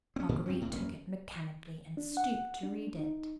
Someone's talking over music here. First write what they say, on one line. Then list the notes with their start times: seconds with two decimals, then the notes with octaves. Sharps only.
Marguerite took it mechanically and stooped to read it.
0.16 C4 C#4
0.29 A2 D#3 A#3
0.46 G2 C4 C#4
0.62 C2 A2
0.73 E1 F#2 A#3 C#4
1.97 D4
2.17 F#5
2.63 D4
2.99 D#4